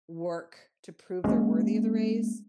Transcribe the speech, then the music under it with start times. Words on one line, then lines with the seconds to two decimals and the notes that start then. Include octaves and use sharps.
work to prove they're worthy of the raise,
1.24 F#3 G#3 A#3 C#4